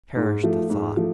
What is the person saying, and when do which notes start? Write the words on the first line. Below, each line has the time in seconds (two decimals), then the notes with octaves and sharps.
Perish the thought!
0.16 G#2
0.43 F3 A3
0.70 G#2
0.97 F3 A3